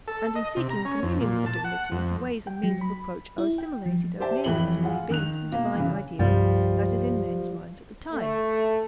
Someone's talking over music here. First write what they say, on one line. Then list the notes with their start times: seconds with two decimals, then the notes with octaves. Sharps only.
And in seeking communion with the divinity the ways and means of approach are assimilated as nearly as may be to the divine ideal that is in men's minds at the time.
0.08 A4
0.35 D#5
0.57 C3
0.70 A#5
0.85 C#4
1.03 F2
1.21 A#2
1.46 A5
1.64 F#5
1.91 F2
2.47 G5
2.63 F#3
2.81 B5
3.38 E4
3.58 G5
3.86 F3
4.20 G4 C5 D5 E5 G5 A5
4.44 F2 A2 E3 E4 F#7 G7
4.84 F4 G#4 F5 F#5
5.10 D#3 F#6 F7
5.51 B2 A#3
5.75 C#3 E3
6.19 C2 G2 F3 G3
8.12 A3